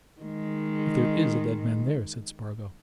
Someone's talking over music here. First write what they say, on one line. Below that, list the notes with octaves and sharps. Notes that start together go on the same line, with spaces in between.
"If there is a dead man there," said Spargo.
D#3 G#3